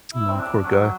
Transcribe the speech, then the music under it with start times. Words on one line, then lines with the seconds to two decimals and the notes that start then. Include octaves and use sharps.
No, poor guy.
0.14 E4
0.29 C4
0.40 D4
0.65 F#3